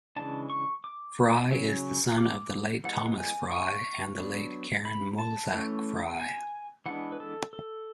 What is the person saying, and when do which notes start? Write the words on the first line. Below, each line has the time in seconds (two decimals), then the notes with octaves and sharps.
Frye is the son of the late Thomas Frye and the late Karen Mulzac-Frye.
0.16 C#3 E3 G#3 D4 A5
0.50 C#6
0.84 D6
1.51 C#3 F#3 C#4
2.18 D6
2.84 E3 G#3 B3 F#5
3.18 G#5
3.51 C#6
4.18 F#3 B3 D4
4.85 B5
5.18 A5
5.52 E3 A3 C#4
6.20 G#5
6.86 E3 G#3 B3 D4 F#5
7.12 B4
7.20 A4
7.53 A4